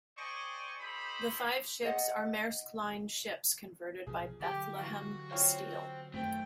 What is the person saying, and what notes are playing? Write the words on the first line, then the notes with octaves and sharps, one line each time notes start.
The five ships are Maersk Line ships converted by Bethlehem Steel.
C5 D5 D#5 G5 G#5 C#6
D#4 G4 A4 C5 B5
C5 D5 D#5 F#5
B1 C#3 F3 G#4
D3 F#3 G4
E3 F#4 F5
F4 C5 C#5 F5 G5
F#2 D#3 A3 C4 G5